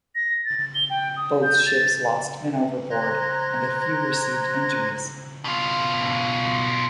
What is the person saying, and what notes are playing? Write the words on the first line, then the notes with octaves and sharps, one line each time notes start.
Both ships lost men overboard, and a few received injuries.
A#6
A6
G7
G5
D#6
G6
A6
C5 A#5 C6 F#6 G#6 A#6
B2 F4